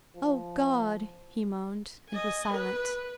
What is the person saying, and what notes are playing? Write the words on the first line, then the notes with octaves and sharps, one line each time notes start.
"O Gawd!" he moaned, and was silent.
F3
D#5 G#5
B4